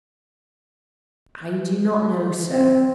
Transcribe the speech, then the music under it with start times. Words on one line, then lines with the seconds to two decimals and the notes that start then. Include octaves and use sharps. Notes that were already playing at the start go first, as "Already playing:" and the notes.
"I do not know, sir!"
2.51 C4